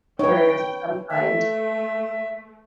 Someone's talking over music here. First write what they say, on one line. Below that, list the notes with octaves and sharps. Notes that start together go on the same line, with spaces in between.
carriers of some kind.
D#4 B4 C#5 G5
A3 E5